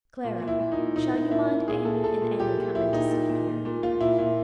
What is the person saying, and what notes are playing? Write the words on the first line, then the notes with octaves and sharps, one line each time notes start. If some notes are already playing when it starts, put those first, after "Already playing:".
'Clara--shall you mind Amy and Annie comin' to sleep here?
A#2
A#2
E4
A#2
D#4
A#2
A#2 D#4
A#2
A#2 E4
A#2
A#2 G#4
A#2 A4
A#2 A4
A#2
A#2 G4
A#2
A#2 E4
A#2 D#4
A#2
A#2
A#2
A#2
A#2 F4
A#2 E4
A#2 E4